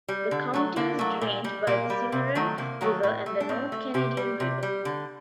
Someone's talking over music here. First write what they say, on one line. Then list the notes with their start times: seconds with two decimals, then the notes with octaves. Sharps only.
The county is drained by the Cimarron River and the North Canadian River.
0.08 G3
0.31 D3
0.54 F#3 A3
0.76 D3 A#3
0.99 F#3 A3
1.21 A#2
1.44 G3
1.67 A#2 A#3
1.90 G3
2.12 C3
2.35 D#3 F#3 A3
2.58 C3 A#3
2.81 D#3 F#3 A3
3.03 A2
3.26 A3
3.40 D4
3.49 A2 C4
3.72 A3
3.94 C3 G4
4.17 G3
4.40 C3
4.63 G3
4.85 D3